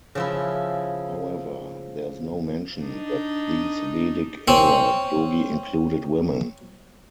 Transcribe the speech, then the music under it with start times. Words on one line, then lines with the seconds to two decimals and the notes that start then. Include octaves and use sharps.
However, there is no mention that these Vedic era Yogi included women.
0.15 C#3 F3 E4
2.81 D4 D#4
4.48 C4 C#4